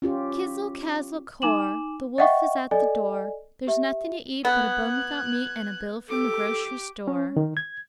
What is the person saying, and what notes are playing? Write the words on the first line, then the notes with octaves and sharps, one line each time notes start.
"Kizzle-kazzle-kore; The wolf is at the door, There's nothing to eat but a bone without meat, And a bill from the grocery store."
C#4 F4 G4
D#4 G#5 D6 E7 F#7
D#5 E5 F#5 G5 C#6
A4 D5 D#5 G#5
G4 E5
B3 F#6 G#6
G4 A4 D6
C#4
D#3
G#6